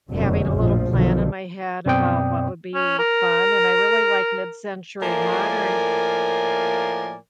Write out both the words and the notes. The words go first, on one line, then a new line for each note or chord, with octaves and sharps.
having a little plan in my head about what would be fun. And I really like mid-century modern
F1 F#2 B2 D3
A#1 A2 F3
B1 B2 D3 D#3 F3
F#2 B2 C4 D5 G5 D#6
C#4
A#4
A2 F3 A#3 A#4 D5 G#5